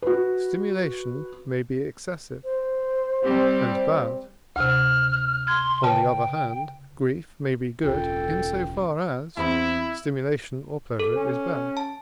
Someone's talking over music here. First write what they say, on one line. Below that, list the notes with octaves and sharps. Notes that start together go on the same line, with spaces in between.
Stimulation may be excessive and bad; on the other hand, grief may be good, in so far as stimulation or pleasure is bad.
F#4 B4
C5
G3 C4 G4
D2 C3 F6
C6 F6 G#6
C#3 B4 G5 A5
E1 C#2 C#3 F4 A4 G5
E2 C4 E4 B5
A4
C#4
A5